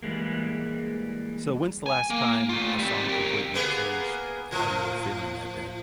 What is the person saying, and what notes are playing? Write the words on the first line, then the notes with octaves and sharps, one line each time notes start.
So when's the last time a song completely changed how you were feeling that day?
E3 G3 G#3 A#3
G#5
A#3
A3 F4
G3 C4
G4 A#4
A#3 B3 G#4
A2 F3